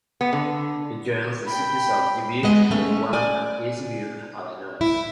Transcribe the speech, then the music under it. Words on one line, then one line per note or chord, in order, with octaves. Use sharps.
It joins the cities of Dubuque, Iowa, and East Dubuque, Illinois.
B3
D3
G5 B5
G#3 B3 D#5
A3 C#4
D5 G#5
E4